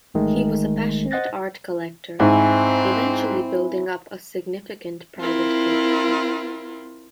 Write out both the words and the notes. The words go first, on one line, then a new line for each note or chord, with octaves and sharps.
He was a passionate art collector, eventually building up a significant private collection.
A1 D#3 G#3 A3
C5 D#5 F#5 F#6 A6 A#6
G#2 C4 E4 G#5 C#6
C4 E4 F4 A#4